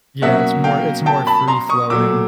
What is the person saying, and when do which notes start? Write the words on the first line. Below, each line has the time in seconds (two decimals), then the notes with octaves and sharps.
Yeah, it's more it's more free-flowing,
0.22 B2 F#3 A#3 C#4 E5 F#5
0.64 F5 G5
1.06 G5 A5
1.27 A5 B5
1.48 A#5 C6
1.69 C#6 D#6
1.90 A#2 F#3 A3 D6 E6